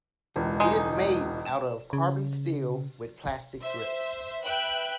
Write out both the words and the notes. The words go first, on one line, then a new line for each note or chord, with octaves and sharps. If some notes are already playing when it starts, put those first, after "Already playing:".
It is made out of carbon steel with plastic grips.
E1 C#2
G#3 D#4
E7
C#3
C5 E5
B4 E5 G5 F#6